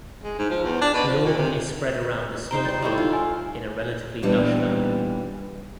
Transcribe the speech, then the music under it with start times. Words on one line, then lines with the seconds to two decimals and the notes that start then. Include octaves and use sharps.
Lawn is spread around a small harbour in a relatively lush valley.
0.24 G#3
0.39 G#2
0.50 F3
0.63 E2
0.81 D4
0.94 B2
1.08 F3
1.25 A#2
1.37 C3
2.51 D#4 C5 G5 A#5
2.65 G3 C5 A6
2.82 G3 E4 A4
2.98 D#4 F4
3.13 G#5
4.22 D#2 A#2 E3 G3 B3 D4